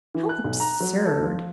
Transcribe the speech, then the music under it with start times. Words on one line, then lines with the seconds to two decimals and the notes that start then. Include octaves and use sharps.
How absurd!
0.15 E3
0.29 F#6
0.44 B1
0.60 A#5
0.80 F#3
1.06 A4
1.23 F3